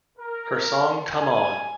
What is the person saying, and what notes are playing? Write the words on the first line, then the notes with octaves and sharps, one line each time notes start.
Her song Come On!
A#4
G#5